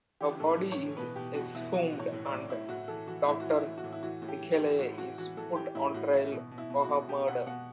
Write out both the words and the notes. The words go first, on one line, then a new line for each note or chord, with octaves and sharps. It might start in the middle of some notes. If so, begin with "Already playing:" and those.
Her body is exhumed and Doctor Bickleigh is put on trial for her murder.
E3 G4
A2 A4
B4
A2
C#5
E3
B2 B4
B2 G4
B2 F#4
B2 E4
E3 F#4
A2
C#5
A2
D5
A2
A2 E4
A2 F#4
E3 A4
E3 F#4
A2 E4
F#4
E3
E4
A2
F#4
A2
E4
E3 F#4
A2
G4
E3
G4
E3
A2 F#4
E3 F#4
E3 F#4
E3 A4
E3 G4
A2 E4
A2 F#4
E3 E4
B2
B2
E4
B2
F#4
B2
B2 G4
B2 F#5
B2 F#5